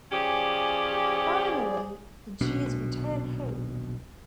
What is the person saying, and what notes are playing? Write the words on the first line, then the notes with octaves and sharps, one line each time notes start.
Finally, the Jews return home.
F3 C#4 G4 G#4 D5
D#1 B1 B2 D4